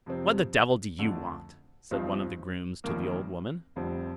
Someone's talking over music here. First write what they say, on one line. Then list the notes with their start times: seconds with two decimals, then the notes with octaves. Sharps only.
'What the devil do you want?' said one of the grooms to the old woman.
0.06 F2 C3 F3 C4
0.99 F2 D3 A3
1.91 G1 G2 F3 C4 D#4
2.84 F1 F2 D#3 A#3
3.76 F1 F2 D3 G3 C4